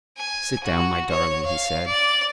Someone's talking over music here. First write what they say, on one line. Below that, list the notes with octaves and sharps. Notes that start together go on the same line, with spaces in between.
"Sit down, my darling," he said.
G#5
F#4
C#5
F5
D5